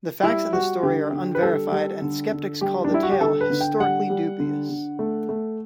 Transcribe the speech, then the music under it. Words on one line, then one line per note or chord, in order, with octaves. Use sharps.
The facts of the story are unverified, and skeptics call the tale "historically dubious".
G3 E4
G3 F#4
D3 G4
D3
B4
G3 A4
G3
D3
D3
G3 G4
D4
G3 E4
F#4
G4
D3 A4
B4
D3
G5
G3 F#5
G3
D3
D3
A3
A3